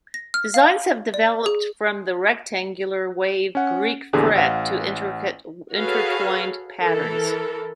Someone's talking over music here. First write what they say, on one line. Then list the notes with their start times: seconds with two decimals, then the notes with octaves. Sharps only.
Designs have developed from the rectangular wave Greek fret to intricate intertwined patterns.
0.14 A#6
0.34 F6
0.54 F5
1.14 D5
1.46 G#4
3.55 C#4 F#5
4.13 A#1 E2 D3 G4 G#4
4.35 A1 F5 F#5
5.74 F#4 G#4 A4 B4 C#5 F5
6.80 E3 A4 A#4